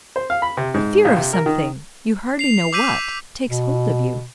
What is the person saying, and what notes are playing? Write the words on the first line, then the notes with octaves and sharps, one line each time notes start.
'A fear of something, you hardly know what, takes hold of you.'
C5
F5
B5
C3
G#2
A#1
C3
A#4
D#3
C7 F7
D6 E6 G6 B6 D#7 F7
B2